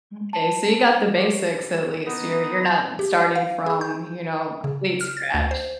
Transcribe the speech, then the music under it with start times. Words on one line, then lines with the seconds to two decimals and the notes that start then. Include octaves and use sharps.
M’kay, so you got the basics at least, you're you're not starting from, you know, complete scratch.
0.33 A5
1.16 G4 A#4 C#5
2.06 B3 D#4 D#6
2.99 G4
3.35 F5
3.66 G#4
3.81 G6
4.64 C#3
5.01 F6
5.17 A6
5.34 D2
5.51 C5